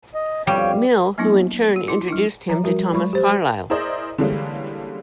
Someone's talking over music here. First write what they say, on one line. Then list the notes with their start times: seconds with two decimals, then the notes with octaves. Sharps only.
Mill, who in turn introduced him to Thomas Carlyle.
0.14 D#5
0.47 F2 B2 G3 C#5 F5 G5
1.18 F#3 A#3 B3 D4 E4
1.76 F#4
1.88 E4 C6
2.08 F#3 D4 E4
2.49 F3 F#3 A#5
2.64 G3 F#4 A#4
2.93 F#3 G#3 B5 C#6
3.13 G4 C5
3.70 E4 G#4 A#4 C5 D5 D#5
4.18 D3 E3 G3 G#3 A#3 C#4